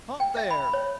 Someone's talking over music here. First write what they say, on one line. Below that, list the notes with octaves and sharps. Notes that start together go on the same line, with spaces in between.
"Halt there!"
G5
E5
B5
C#5